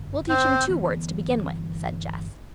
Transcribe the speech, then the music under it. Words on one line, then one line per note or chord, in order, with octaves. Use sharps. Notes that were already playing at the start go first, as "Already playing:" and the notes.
"We'll teach him two words to begin with," said Jess.
Already playing: G1 F#2 D3
C4 C5
G1 G2 E3 B3